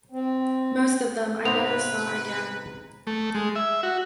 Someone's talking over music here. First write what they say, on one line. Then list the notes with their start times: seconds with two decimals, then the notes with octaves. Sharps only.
Most of them I never saw again.
0.12 C4
1.45 G#2 C3 B3 B4 C5 B5 F7
3.07 A3
3.35 G#3
3.56 E5
3.83 F#4